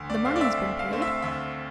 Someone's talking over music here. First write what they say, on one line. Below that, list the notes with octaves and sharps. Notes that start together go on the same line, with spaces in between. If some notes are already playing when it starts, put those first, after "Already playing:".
The money has been paid.
Already playing: D2
D5
D3 A3 C4 F5
D5
E5
D2
F5
D3 A3 C4
E5
D2 E5